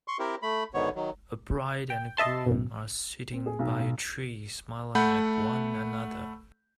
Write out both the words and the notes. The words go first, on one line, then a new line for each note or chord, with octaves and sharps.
A bride and a groom are sitting by a tree smiling at one another.
C6 C#6
C4 E4 G4 A#4
A3 B5
G#2 B2 D3 D#3 B3 C#5
D#3 F#3
G5
D#5 E5 A5 C6
A1 F#2 B2
C4
G#4
B1
B1
A3 F#5 B5 G6